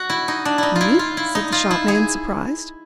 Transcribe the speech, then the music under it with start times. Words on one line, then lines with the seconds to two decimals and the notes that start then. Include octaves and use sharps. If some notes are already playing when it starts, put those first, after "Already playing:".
"Me?" said the shopman, surprised.
Already playing: F#4
0.10 E4
0.28 D#4
0.45 D4
0.58 D#4 E4
0.76 F4
0.81 E4
0.99 F4
1.17 E4
1.35 D#4
1.52 F4
1.71 E4
1.88 G#4